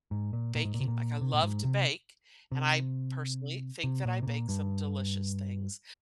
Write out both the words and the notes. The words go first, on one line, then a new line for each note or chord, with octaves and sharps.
baking. Like, I love to bake, and I, personally, think that I bake some delicious things,
G#2
A#2
A#2
G#2
A#2
C3
A#2
C3
A#2
G#2
C3
C3
C3
A#2
C3
A#2
G2